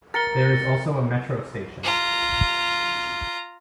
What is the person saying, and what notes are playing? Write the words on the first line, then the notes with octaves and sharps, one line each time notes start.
There is also a metro station.
A#4 A6 C#7 G7
F4 A#5